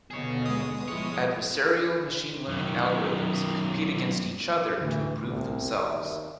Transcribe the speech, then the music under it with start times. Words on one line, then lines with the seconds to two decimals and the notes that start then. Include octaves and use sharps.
Adversarial machine learning algorithms compete against each other to improve themselves.
0.11 D#2 B2 D3 B3 G#4 C#5
0.46 G#3 D#6
0.88 F3 A3 E4 C#5
2.49 F#2 D#3
4.81 D2 A2 E3
5.28 C2
5.89 D#2 D5 E5